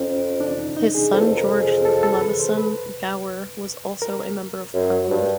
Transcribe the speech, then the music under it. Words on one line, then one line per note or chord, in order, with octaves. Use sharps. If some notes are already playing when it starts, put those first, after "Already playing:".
His son George Leveson-Gower was also a Member of Parliament.
Already playing: F2 C#4
D4
D#4
D#4
G#4
F2 A4
E2
F2
A#4
G#4
A4
A4
B4
C5
B4
A#4
F#2
G2